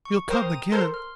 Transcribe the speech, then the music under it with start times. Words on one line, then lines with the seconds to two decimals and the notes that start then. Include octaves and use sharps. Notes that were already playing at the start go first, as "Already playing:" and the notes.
"You'll come again?"
0.05 C#6
0.30 A#4 C5 G5 A#5 D#6
0.50 D#7
0.72 A4 A#4 C5 C6
0.94 F6